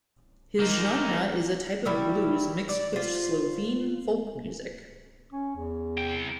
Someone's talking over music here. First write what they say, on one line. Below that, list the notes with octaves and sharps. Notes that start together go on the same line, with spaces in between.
His genre is a type of blues mixed with Slovene folk music.
A#3 D#4
F#3 G3 E4
D5
F4 C5
C#4
E2
C2 G5